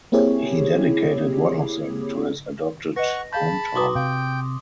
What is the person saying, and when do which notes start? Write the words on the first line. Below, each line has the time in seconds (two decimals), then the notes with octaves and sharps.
He dedicated one of them to his adopted hometown.
0.12 A#3 C4 E4 G4 G#4 C#5
2.96 B4 D#5 F#5 C#6 A#6
3.33 G#4 F5 A5 B5 G6
3.75 F#4 B4 A#5 C6 D6 D#6
3.95 C3 F5 G5